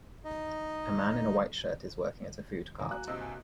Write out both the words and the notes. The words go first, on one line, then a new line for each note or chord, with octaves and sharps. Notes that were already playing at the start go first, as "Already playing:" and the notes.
A man in a white shirt is working at a food cart.
D#4 D#5
G#2 C#3 E3 A#3 G#5
F#4 F#6
G2 C3 D#5 E6
G#5